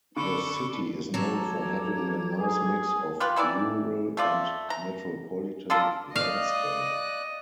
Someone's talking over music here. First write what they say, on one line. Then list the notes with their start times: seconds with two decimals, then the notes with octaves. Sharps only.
The city is known for having a nice mix of rural and metropolitan landscape.
0.17 D3 D4 A4 B5 C#6 D6
1.14 F#3 A4 A#5 D6 G#6
2.40 G#4
3.20 F4 G4 B4
3.36 D#3 E3 E4 D5
4.17 A3 F4 D5
4.70 A#5
5.70 D3 F4 A4 A#4
6.16 D5 D#5 F5 F#6